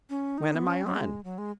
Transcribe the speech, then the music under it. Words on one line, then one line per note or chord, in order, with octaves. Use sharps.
"When am I on?"
C#4
D#4
B3
C#4
F#3
G#3
F#3
G#3